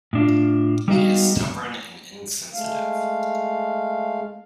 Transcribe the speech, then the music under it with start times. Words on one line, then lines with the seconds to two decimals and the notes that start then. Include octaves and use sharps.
He is stubborn and insensitive.
0.13 A2 D4 F4
0.88 G3 G#3 B3 D#4 F#4 F5
2.54 G#3 A3 F5